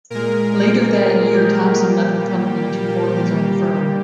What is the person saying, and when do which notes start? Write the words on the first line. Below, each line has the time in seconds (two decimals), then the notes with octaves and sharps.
Later that year Thompson left the company to form his own firm.
0.10 A#2 G#3 A#4
0.93 G#4
1.34 G4
1.75 A#2 G3 A#3